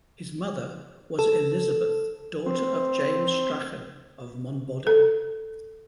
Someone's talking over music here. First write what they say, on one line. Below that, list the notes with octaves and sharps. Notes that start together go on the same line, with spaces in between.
His mother was Elizabeth, daughter of James Strachan of Monboddo.
A4
C4
A4